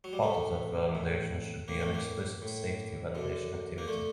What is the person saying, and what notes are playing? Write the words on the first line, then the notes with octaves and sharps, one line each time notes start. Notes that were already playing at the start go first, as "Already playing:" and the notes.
Part of that validation should be an explicit safety validation activity.
F#3
G3
A2 A3
A2
A2 A#3
A3
A#3
A2
F#2 D3
A#3
D3 A3